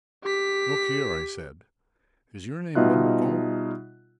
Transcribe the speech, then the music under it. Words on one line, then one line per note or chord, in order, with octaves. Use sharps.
"Look here," I said, "is your name Bundercombe?"
G4 B6
B2 G3 D#4 F4 E5 F#6